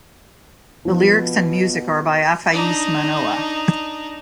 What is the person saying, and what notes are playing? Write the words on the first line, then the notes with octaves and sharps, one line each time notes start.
The lyrics and music are by Afaese Manoa.
B2 F3
D4 D#4